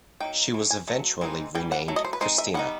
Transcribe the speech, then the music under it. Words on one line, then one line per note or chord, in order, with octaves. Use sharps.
She was eventually renamed "Cristina".
F#3 A#3 D#4 G5
E3 A3
G#5
F#3 A3
E3 G#3 C4 D#4
E3 G3 G5
F#5
F#3 A3
D#5
C5
B4
G#3 C4 D#4 C5
E5
G3 B3 D#4 F#5